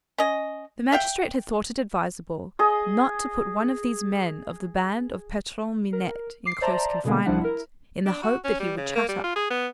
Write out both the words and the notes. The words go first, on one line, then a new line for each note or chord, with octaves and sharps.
The magistrate had thought it advisable not to put one of these men of the band of Patron Minette in close confinement, in the hope that he would chatter.
C#4 D#5
E5 F5 G5
G#4 D#5
A#4
D6 C7
C5 D5 E5 A5 A#5 C6
B2 D3 G#3 A#3 B3
C2 F3 G3 D4 E4 F#5
E4 A#4
D4
F#4
C#4
G3
C#3
A#3
G3
F4
G#4
B3